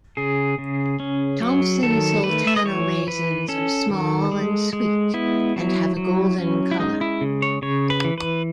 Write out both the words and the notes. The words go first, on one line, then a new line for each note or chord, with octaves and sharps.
Thompson sultana raisins are small and sweet, and have a golden colour.
C#3 G#4
C#3
C#4
F#3
D#3 A4
A3 B4
E5
D#5
E3 C#5
E3 B4
C#4 A4
D#3
G#3
G#3
B3 E4
F#3
F#3
C#4
E4
G#3 D#4
E4
C#3
C#5
C#3 C#5
B4
E3
B4